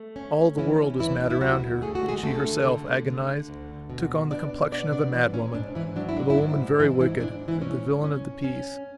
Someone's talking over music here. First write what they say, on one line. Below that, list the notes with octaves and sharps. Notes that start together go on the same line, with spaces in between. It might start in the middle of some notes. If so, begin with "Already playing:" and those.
All the world was mad around her and she herself, agonized, took on the complexion of a mad woman; of a woman very wicked; of the villain of the piece.
Already playing: A3
C#4
E3 C#4 E4
D2 E3 E4
E4
D2 F#3 F#4
A3 G#4
F#4
G#3 G#4
D3 A3 A4
D3
D3
D2
B2
B2 D4 D5
B3 D4 D5
D4 D5
B2 E3 E4
C#4
G#2 D4
E3 E4
F#3 D4
E4
D4
E4
G#2 D4
G#2 E3 E4
E3 E4
G#2 D4
E3 E4
C#4
C#4
C#4